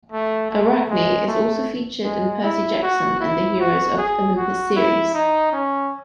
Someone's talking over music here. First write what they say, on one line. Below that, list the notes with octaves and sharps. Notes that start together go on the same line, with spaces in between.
Arachne is also featured in the Percy Jackson and Heroes of Olympus series.
A3
A3
G#3
A3
G#3
E4
F#4
E4
F#4
G#4
F#4
E4
D#4
C#4